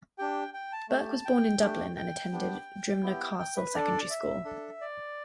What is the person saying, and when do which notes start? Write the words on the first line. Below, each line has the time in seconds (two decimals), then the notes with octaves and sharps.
Burke was born in Dublin and attended Drimnagh Castle Secondary School.
0.18 D4 G4 G5
0.54 G5
0.72 A5
0.89 A3 G4 A5
1.25 G5
1.60 A3 D4 G4
1.96 G5
2.32 B3 D4 G4
3.03 B3 E4 G4
3.39 G5
3.56 B4
3.75 D4 A4 D5
4.10 E5
4.45 D4 A4
4.81 D5